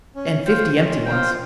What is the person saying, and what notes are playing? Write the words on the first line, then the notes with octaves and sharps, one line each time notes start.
"And fifty empty ones."
C#4
F4 C5 G5
C#4
F4 C5 G5